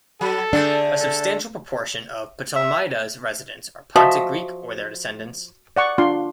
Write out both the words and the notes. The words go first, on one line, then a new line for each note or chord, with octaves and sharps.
A substantial proportion of Ptolemaida's residents are Pontic Greek or their descendants.
F#3 A4
D3 A3 D4 G#4
A4
E5
F3 F#4 D#5 E5
D5 F#5 C#6
D4 F4 C6